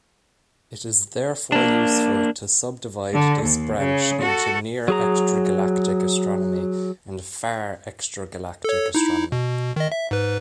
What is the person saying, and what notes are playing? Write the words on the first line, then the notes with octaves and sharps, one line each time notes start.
It is therefore useful to sub-divide this branch into Near-Extragalactic Astronomy and Far-Extragalactic Astronomy.
A#3 D4
D3
D#2
C#3
F#4 A4
F#3 G#4 A#5
A4 C#5
D#4 E4
B2
D#3 D#5
E5
G#2 B4